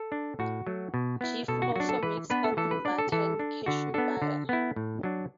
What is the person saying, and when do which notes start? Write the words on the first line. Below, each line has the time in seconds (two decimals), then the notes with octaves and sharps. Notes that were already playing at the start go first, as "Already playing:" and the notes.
Jif also makes almond butter and cashew butter.
Already playing: A4
0.12 D4
0.39 A2 F#4
0.66 F#3 A3
0.94 B2
1.21 B3 E4
1.48 B2 A4
1.62 F#4
1.76 F#3 D4 F#4
1.89 A4
2.03 E3 B4
2.30 B3 D4 B4
2.44 A4
2.57 E3 A4
2.71 B4
2.85 D4 D5
2.98 A4
3.12 E3 A4
3.39 D4
3.66 D3 F#4
3.94 B3 D4 A4
4.22 D3
4.49 B3 E4
4.76 A2
5.03 F#3 D4